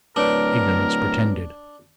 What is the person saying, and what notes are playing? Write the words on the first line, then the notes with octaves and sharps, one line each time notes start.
Ignorance pretended.
D1 D4 A#4 B4 C#5 D7